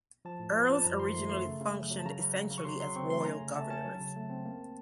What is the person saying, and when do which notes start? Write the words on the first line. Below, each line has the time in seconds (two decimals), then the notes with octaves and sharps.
Earls originally functioned essentially as royal governors.
0.25 F3 A5
0.39 A2
0.55 F3
0.69 F3
0.75 A5
0.84 F#2 A#5
1.00 D#3 C6
1.15 A3 C6
1.30 A3 C6
1.45 C#3
1.61 C#3
1.75 F#3
1.90 F#3
1.99 A5
2.05 C#3 A#5
2.20 C#3
2.36 C#3
2.50 C#3
2.58 C#6
2.65 F#3 C6
2.80 F#3 C6
2.96 C4 C#6
3.10 A3 C6
3.25 C#4 A#5
3.41 C#3
3.55 A3 A5
3.70 C#4 A5
3.85 F#3
4.01 C#3
4.16 A3
4.30 C4
4.45 A#3